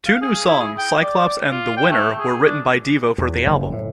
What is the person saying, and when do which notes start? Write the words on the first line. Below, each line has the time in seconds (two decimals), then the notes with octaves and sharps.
Two new songs, "Cyclops" and "The Winner", were written by Devo for the album.
0.06 F5
0.22 G#4
0.47 E4
0.60 G#4
0.78 G5
1.02 D5
1.51 F4
1.77 G5
1.91 A3
2.19 G#4
2.44 D4
3.18 E2
3.47 F#1
3.72 A2